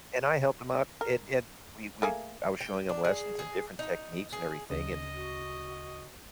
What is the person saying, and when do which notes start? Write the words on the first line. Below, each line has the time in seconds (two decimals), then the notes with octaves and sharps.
and I helped him out. It it we we I was showing him lessons and different techniques and everything, and
1.01 A#4
2.02 A3 A#3 G#4
2.61 G5
2.89 D4
3.04 G#4
3.39 G#4
3.79 D#4
4.33 G#4
4.70 D2 C#3 D#5
5.13 F#4